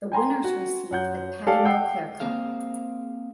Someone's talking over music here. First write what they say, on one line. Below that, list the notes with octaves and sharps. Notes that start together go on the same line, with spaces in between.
The winners received the Paddy Moclair Cup.
G5 G#5 A#5 C6
F#4
F#2 F#5 G6
G4 A4 D5 F5 G#5
F#5 G5 E6 C7
A#3 C4 G#4 F5